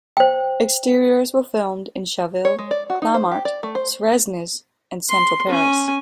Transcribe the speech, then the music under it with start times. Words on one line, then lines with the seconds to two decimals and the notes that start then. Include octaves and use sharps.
Exteriors were filmed in Chaville, Clamart, Suresnes, and central Paris.
0.17 C5 G5
2.45 C#5
2.59 G#3
2.71 D5
2.90 F#4
3.02 D#4
3.14 C5
3.31 G4
3.45 D5
3.63 A3
3.75 C5
5.09 C6
5.49 C#4 G#5